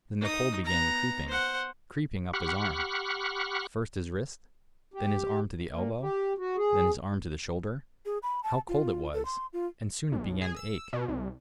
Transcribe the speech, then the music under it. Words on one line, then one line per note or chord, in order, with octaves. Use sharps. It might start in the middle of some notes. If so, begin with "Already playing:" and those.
Then the cold began creeping, creeping, up his arm; first his wrist, then his arm to the elbow, then his arm to the shoulder; how cold it was! And soon it began to ache.
D#4 D#6
B3 A#5
C5 F#5
G4 F#5 B5 C#6 F6 F#6
G4
A#2
G4
F#4
G#4
G#4
B5
A5
F4
A4
C6
F4
B1
G#4
E6
B2
C2